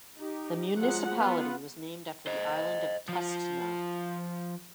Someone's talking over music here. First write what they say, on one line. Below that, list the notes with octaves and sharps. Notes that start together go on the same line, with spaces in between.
The municipality was named after the island of Tustna.
D#4 G4
F3 F#3 G#3 F#5
B3 F4 B4 F#5
C5 D#5
F3 F4